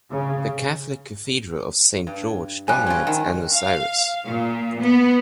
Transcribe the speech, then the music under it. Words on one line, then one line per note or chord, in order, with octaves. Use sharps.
The Catholic cathedral of Saint George dominates Ano Syros.
C#3
G2
F3 G3 G#5 F#6
C#4 F4
D#3
F5
A#2
B3